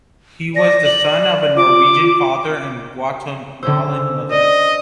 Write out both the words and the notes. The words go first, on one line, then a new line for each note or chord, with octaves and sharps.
He was the son of a Norwegian father and Guatemalan mother.
D5 A#6
D5 F#7
F4 D6
D3 C#4 C5 E6
D5 D#5